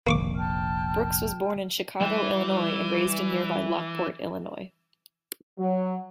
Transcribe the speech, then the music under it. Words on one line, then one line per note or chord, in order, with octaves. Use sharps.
Brooks was born in Chicago, Illinois, and raised in nearby Lockport, Illinois.
F1 A#1 A#3 C#6 D6
G5 A5 F6
E3 G3 G5
F#3